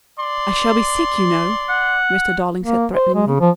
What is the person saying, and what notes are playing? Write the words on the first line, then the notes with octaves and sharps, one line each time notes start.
"I shall be sick, you know," Mr. Darling said threateningly.
D5 C6
F#5
A#3
C5
G#3
C#3
F3